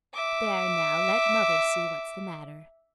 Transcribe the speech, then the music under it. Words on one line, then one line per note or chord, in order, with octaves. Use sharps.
"There now, let mother see what's the matter."
E5 D6